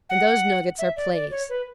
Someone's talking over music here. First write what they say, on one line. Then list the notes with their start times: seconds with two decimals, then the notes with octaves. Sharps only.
And those nuggets are plays.
0.10 F#5
0.79 E5
0.97 D5
1.13 D5
1.31 C#5
1.49 B4